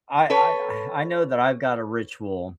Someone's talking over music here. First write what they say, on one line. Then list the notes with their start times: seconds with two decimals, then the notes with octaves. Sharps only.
I I I know that I've got a ritual,
0.30 A4 B4 C#5